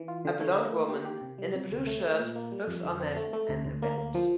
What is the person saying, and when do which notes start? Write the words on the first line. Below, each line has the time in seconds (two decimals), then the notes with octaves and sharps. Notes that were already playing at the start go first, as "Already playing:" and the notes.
A blond woman in a blue shirt looks on at an event.
Already playing: E3
0.08 F4
0.25 D3
0.40 A3
0.57 A#3
0.72 A#3
0.89 G4
1.05 G4
1.22 C3
1.38 G3
1.55 C3
1.70 D2
1.87 A3
2.04 A3
2.19 A#2
2.35 A#3
2.52 G3
2.68 F2
2.84 D3
3.00 C4
3.16 A3
3.33 A3
3.49 D2
3.66 D2
3.82 A#3
3.98 A#3
4.15 F3